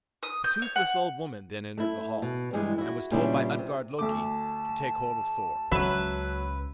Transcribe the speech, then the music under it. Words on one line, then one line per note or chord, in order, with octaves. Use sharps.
A toothless old woman then entered the hall, and was told by Utgard-Loki to take hold of Thor.
D#6
G6
C#5
F#5
A3 E4
B2
G2 E3 G3 G#3
E4 F#4
A#2 C#3 G3 B3 D4 E4
C3
D2 A3 A5 D6
C#2 C#3 F#3 B4 E5